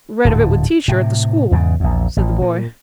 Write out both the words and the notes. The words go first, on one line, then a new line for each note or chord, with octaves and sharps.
'Read of it with teacher at the school,' said the boy.
D1 G#2 D3
A2 C3
E2 G#2 C#3
A#1 E2
A1
A#2